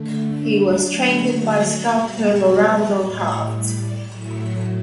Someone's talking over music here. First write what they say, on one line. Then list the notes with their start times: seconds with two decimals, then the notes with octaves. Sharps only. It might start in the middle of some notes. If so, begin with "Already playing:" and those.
He was trained by sculptor Lorado Taft.
Already playing: D3 A3
0.27 D4
0.81 D3 F#3 A3
1.36 F#4
1.91 B2 G3 G4
2.46 B4
3.00 A2 G3 C#5
3.55 D5
4.09 A2 F#3 A3 E5